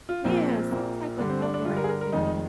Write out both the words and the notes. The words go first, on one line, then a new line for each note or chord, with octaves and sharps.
Yeah, some type of outdoor activity
F4
A#1 A#2 F3 A#3 C4
A#1 A#2 F3 A#3
G2 D3 G3 D4
C4
D4
D4
G2 D3 G3 F4
A#4
G#4
A#4
A#4
F1 F2 D#3 G#3 D#4